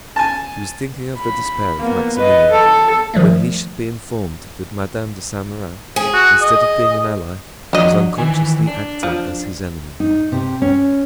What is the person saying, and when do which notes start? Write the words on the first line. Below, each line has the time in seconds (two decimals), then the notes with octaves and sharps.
She was thinking of the despair of Maximilian, when he should be informed that Madame de Saint-Meran, instead of being an ally, was unconsciously acting as his enemy.
0.16 G#5 A5
1.18 B5
1.78 A#3 B3
2.16 B4 D#5
2.50 A4
3.14 D#3 F3 G3 A3
5.96 G#4
6.14 F#4
6.42 D#5
7.73 F3 D4 F#4 D#5
8.18 D#3 E3 G#5
8.67 D4
9.03 F3
10.00 D#4
10.32 C3
10.62 C#4